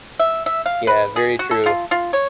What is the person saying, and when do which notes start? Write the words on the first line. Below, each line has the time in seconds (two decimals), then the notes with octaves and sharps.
Yeah, very true.
0.19 E5
0.46 E5
0.66 F5
0.87 B4
1.16 G#4
1.39 F#4
1.51 A4
1.66 F4
1.91 F4
2.13 C#5